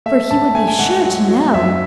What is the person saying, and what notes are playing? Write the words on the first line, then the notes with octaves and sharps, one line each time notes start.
For he would be sure to know.'
A3 E5
G#2 A5
A3 G#5
G#5
G#2 F#5
F#3
F#3
F#2 E5